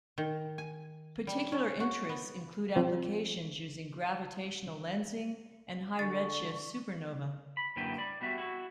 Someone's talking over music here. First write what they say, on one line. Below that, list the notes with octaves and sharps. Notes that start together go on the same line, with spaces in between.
Particular interests include applications using gravitational lensing and high-redshift supernovae.
D#3
G#5
G3
C#4
F#4
B3
F3 C4
D3 C#6 A6
B5
F#2 D3 A#3 E4 B4 G5
D5 B5
G3 B3 F#4 E5
E4 F#4